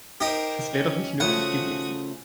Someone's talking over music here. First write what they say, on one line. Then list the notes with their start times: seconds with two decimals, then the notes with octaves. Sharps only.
Das wäre doch nicht nötig gewesen.
0.21 D#4 G4 A#4 C5
0.72 C#4
1.20 C#3 F3 A3 F#4 F#5 D#6